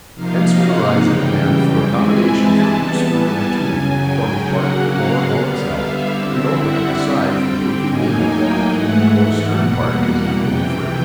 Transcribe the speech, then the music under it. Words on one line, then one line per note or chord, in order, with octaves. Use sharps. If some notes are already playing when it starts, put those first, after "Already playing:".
Hence will arise a demand for accommodation for each screw in a tube forming part of the lower hull itself and open at the side for the taking in of water, while the stern part is equally free.
C3 F3 A#3 D#4 F5
F#5
F#2 C#3 E3 G3 G5
E3 G#3 C4 E4 G#5
A5
E3 G3 B3
G#5
F#2 C#3 F#3
G5
C#3 F#3 A#3 F#5
F5
D3 G3 B3 F5
E5
D3 G3 C4 E4
F#5
D3 G3 C4 G5
A2 F#3 A#3 D#4 G#5
G5
G#2 E3 A3 F#5
F#5
E2 B2 G3 A#3 F#5
F2 C3 E3 G5